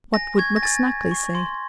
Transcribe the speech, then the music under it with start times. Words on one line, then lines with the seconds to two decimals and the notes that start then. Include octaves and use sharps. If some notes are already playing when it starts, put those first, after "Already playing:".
What would McSnagley say?
0.14 G#5 A#6
0.38 C#6 G#6
0.56 A#6
0.63 G#5 A6
0.86 G#5
1.11 C#6
1.35 C6